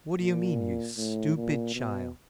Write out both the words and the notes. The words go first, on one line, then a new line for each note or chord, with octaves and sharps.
What do you mean, you stupid child?
A#2
A2
A#2
B2